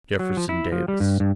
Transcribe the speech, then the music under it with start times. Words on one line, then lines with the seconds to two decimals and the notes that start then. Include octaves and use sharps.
"Jefferson Davis."
0.19 F#3
0.37 F3
0.49 E4
0.72 F3
0.88 G3
1.00 G2
1.20 G2